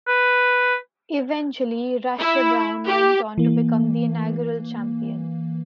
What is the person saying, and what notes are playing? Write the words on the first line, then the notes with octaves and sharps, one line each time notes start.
Eventually, Rasche Brown went on to become the inaugural champion.
B4
E4
G4
E3 A#3